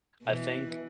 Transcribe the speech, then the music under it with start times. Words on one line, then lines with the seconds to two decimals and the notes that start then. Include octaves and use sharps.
I think
0.23 B2 E3